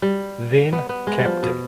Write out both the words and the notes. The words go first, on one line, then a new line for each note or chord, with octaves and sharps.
Then Capt.
G3
B3
B3
G#3
G3
F3
B2